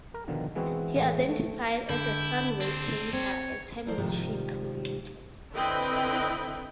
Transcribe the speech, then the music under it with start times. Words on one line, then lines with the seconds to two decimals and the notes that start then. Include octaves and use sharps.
He identified as a "sunway"-painter, a term which he created.
0.14 A#4
0.28 B2 D3 D#3 F3
0.55 E3 G#3 B3 C4 E4 F#4
0.95 A2 E3 G#3 A#3
1.29 A3
1.89 D3 E4 G5
2.61 C4 D4 C5
3.13 C4 C#5
3.86 D#2 F3 E4 A#4 C5 D5
3.98 G#2 C3 D#3 F3 G3
5.54 D3 C4 E4 B4 D#5 G5